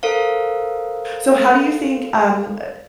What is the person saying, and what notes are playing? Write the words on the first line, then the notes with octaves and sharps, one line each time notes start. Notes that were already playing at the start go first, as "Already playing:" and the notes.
So how do you think, um, eh,
A4 A#4 C5 F5